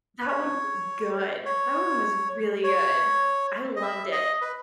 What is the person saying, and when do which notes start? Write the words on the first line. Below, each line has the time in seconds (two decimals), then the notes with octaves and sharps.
That one was good, that one was really good. I loved it.
0.19 B4
0.27 C#5
1.45 C#5
2.64 C#5
3.76 D#5
3.82 E5
4.12 D#5
4.41 B4